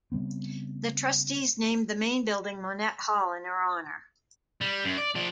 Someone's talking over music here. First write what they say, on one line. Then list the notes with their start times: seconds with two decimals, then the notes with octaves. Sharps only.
The trustees named the main building Monnett Hall in her honor.
0.12 C#3 G3 B3 C4
4.62 G3
4.85 F#2
4.97 D5
5.15 F3 D5